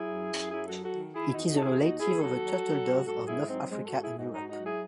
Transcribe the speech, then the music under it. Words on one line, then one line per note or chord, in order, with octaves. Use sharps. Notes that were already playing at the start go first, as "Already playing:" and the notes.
It is a relative of the turtledove of North Africa and Europe.
Already playing: F#3 E4 G#4
F#2
F#2
F#3 E4 G#4
F#3 F#4 A4
F#4 A4
D#3
D#3 E4 G#4
D#4 F#4
E2
D#4 F#4
E2 A4
E4 G#4
D#2 D#4 F#4
D#2 E4 G#4
F#3 F#4 A4
F#3
F#3
G#2
F#3 F#4 A4
G#2 E4 G#4
F#3 C4 D#4
G#2 G#3 C4
F#4 A4
G#2
E4 G#4
G#2 D#4 F#4
G#2 D#4 F#4
F#3 D#4 F#4
E4 G#4